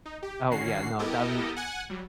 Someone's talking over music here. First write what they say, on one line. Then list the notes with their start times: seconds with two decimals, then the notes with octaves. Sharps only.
Oh, yeah, no, that mean
0.05 D#4
0.22 G4
0.50 D3 D#3 C#4 F#4 C7
0.99 B3 E4 G4 A4 A#4 D#5
1.56 F#5 G#5
1.90 F#3 G3